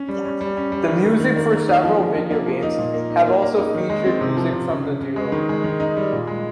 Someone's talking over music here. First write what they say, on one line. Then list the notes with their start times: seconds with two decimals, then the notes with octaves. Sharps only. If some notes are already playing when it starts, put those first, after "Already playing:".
The music for several video games have also featured music from the duo.
Already playing: C#4
0.08 G3
0.25 C#4
0.41 G3
0.57 C#4
0.72 G3
0.88 D#3
1.04 D#3
1.20 D#3
1.36 A#3
1.52 A#3
1.68 D#4
1.83 F3
1.99 F3
2.16 F3
2.31 A#3
2.46 F3
2.63 D#4
2.78 A#2
2.94 A#3
3.10 D#4
3.27 A#3
3.42 A#3
3.58 D#4
3.75 D#3
3.90 G#3
4.05 C4
4.21 C3
4.37 F3
4.53 C3
4.69 C#3
4.85 C#3
5.01 C#3
5.16 G#3
5.32 D#3
5.49 G#3
5.64 D#3
5.80 D#4
5.97 G3
6.12 A#2
6.27 G#3